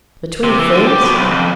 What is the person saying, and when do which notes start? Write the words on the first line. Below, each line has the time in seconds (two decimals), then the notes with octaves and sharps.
Between friends?
0.43 C3
0.59 E3
0.74 D3
0.87 G4
1.01 B2
1.15 B1
1.31 F2